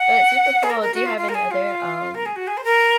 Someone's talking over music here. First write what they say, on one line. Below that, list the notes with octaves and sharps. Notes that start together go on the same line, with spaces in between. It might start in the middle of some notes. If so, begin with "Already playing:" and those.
but super cool. Do you have any other, um,
Already playing: F#5
G#4
A#4
A#4
F#4
F4
F4
A#4
G#4
F4
A#4
G#4
F#4
G#4
C5
A#4